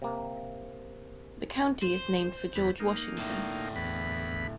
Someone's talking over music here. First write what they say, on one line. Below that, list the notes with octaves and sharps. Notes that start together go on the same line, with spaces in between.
The county is named for George Washington.
C3 A#3
C5
E2 B5
A#3 D#4
A2 D3
E2 B5